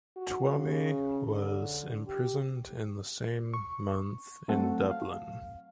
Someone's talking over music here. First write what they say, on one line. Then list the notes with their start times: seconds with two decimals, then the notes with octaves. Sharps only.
Twomey was imprisoned in the same month in Dublin.
0.16 F#4
0.50 C#3
1.30 D3
2.07 G4
3.54 C#6
4.48 F#3 A3 C4 A4 F#5
4.91 F5